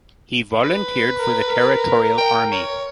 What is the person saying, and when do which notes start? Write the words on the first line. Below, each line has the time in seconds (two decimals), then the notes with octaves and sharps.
He volunteered for the Territorial Army.
0.64 B4
1.19 A#4
1.48 A#4
2.18 G5
2.52 C#5